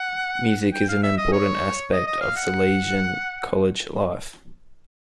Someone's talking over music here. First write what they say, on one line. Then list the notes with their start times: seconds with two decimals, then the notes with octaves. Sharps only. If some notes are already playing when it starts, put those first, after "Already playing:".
Music is an important aspect of Salesian College life.
Already playing: F#5
0.74 G5
0.89 F5
1.03 E5
1.18 D#5
1.33 C#5
1.92 D#5
2.07 D#5
2.21 F5
2.36 F#5